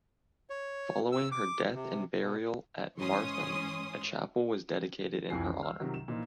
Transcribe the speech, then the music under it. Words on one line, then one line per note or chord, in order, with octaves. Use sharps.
Following her death and burial at Martham, a chapel was dedicated in her honour.
C#5
E6
D6
C3
B2
G#2 E3 C#4 C#5 C6 D#6
C2 F2 E3 F4 G#5 C7
C#4
E6 F6
C3 D#3 F3 F#3
E7
A#2 E3 F3 D#4 F4